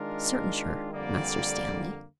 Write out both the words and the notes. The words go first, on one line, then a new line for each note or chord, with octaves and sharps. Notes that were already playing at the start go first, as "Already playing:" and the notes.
'Certain sure, Master Stanley.'
Already playing: D#3 G#3 D4 F4 A#4
F2 D3 G3 A#3 D5